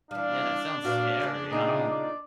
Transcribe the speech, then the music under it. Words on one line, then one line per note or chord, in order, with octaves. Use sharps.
Yeah, that sounds scary, I don't
E3 G3 D4 F5
A#2 A#3 B3 F#4 F5
C#3 G#3 A#3
A#2 D#4 F4 G#4
D5